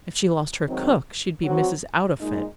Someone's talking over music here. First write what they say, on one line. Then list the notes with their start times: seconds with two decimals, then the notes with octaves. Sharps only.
If she lost her cook she'd be Mrs. Outofit.
0.66 G#2 D#3 F#3 C4
1.43 F#3 C4 F#4
2.18 A#2 G#3 D#4